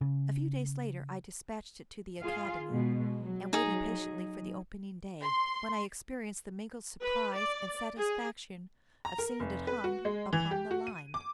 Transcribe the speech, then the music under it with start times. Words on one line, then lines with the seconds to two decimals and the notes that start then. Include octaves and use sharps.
A few days later, I dispatched it to the Academy, and waited patiently for the opening day, when I experienced the mingled surprise and satisfaction of seeing it hung "upon the line."
0.01 C#3
2.22 F4 G#4 F5
2.69 B2 G#3
3.23 F#3
3.53 D#4 G#4
5.23 C6
7.02 B4
7.34 D5
7.97 G#4
9.05 A#5
9.18 A#4
9.40 F1
9.67 B4
9.84 F#4
10.05 G#3
10.33 E3
10.51 G4
10.71 F#4
10.87 D#7
11.14 D6